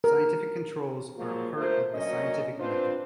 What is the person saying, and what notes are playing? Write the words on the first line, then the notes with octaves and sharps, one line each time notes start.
Scientific controls are a part of the scientific method.
A#4
F3 F#3 G#3 A#3
A3 F4 A#4 C5
D2 F#3 A#3 C#4 D#5
C4 D4 F4 B4 C5